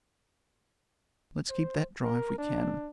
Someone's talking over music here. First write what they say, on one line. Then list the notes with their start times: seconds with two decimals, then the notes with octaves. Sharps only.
Let's keep that dry if we can.
1.49 C5
2.04 A#4
2.38 D4